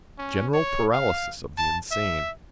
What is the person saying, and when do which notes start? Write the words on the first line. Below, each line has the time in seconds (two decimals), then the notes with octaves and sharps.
General paralysis of the insane!
0.18 C#4
0.53 C#5
0.93 F5
1.58 A5
1.91 E5